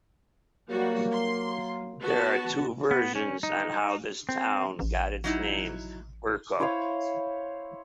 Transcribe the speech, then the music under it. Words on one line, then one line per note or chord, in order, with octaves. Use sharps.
There are two versions on how this town got its name as "Bucay".
F#3 G3 A#3 F#4
C6
B3 F#4 A5
B3
C#4
D#4
C4
A1
F#3 D#4 E4
E4 C5 C#5 F5